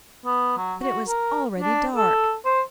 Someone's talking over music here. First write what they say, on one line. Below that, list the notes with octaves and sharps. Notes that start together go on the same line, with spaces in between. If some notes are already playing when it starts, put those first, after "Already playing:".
But it was already dark.
B3
F#3
F#4
A#4
D4
A4
C5